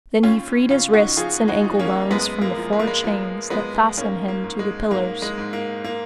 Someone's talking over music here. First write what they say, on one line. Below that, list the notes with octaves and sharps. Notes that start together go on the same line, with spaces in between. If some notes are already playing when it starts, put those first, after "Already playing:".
Then he freed his wrists and ankle-bones from the four chains that fastened him to the pillars.
D#2 C#4 F4
C#3 C#4 F4
D#4 F#4
F3 F4 G#4
D#4 F#4
F3
A#3 C#4
F#2 G#3 B3
A#3
F3
G#3
A#3
G#3
F3 A#3
F3 G#3 B3
G#2 A#3 C#4
A#3
G#2
G#3
G#2 A#3
G#3
G#2
A#3
A#3